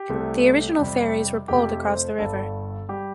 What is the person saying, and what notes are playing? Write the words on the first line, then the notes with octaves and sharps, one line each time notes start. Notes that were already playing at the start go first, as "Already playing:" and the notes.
The original ferries were poled across the river.
Already playing: G4
C2 C3 A3
F2 C3 G3
F2 C3 A3 G4
C5
G1 G2 G3 A4
G3 G4